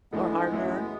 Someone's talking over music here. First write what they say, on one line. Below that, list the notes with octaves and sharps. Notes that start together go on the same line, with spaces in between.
Or harder?
A2 E3 G#3 A3 B3 D4 A4
F#2 E3 A3 C#4 E4